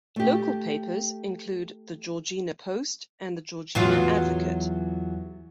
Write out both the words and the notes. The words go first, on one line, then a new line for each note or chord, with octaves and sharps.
Local papers include the "Georgina Post", and the "Georgina Advocate".
A3 G4
E2 F#3 F4